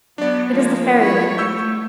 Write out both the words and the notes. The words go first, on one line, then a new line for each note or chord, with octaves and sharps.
It is the fairy language.
F#3 B3 D4 D5
F3 G#3 A#3
E4 C#5
A3 C#6 E6 G6